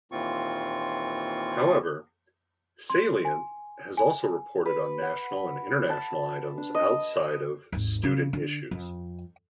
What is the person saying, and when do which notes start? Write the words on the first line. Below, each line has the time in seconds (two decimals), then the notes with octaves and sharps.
However, "Salient" has also reported on national and international items outside of "student" issues.
0.12 D#2 A#2 E3 C4 F4 C#6
2.90 C6
3.25 G#5
3.97 G#5
4.66 B4
5.01 F#5
5.90 A5
6.58 D4
6.75 D#5
7.72 G#1 D#2
8.03 C#3
8.33 D3
8.71 F2